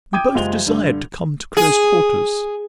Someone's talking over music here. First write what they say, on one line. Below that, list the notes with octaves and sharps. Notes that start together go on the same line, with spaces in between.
We both desired to come to close quarters.
G5 D6 D#6 G6 G#6 D#7
F#1 G#3 F4 G4 F7 G7
G2 D3
G#4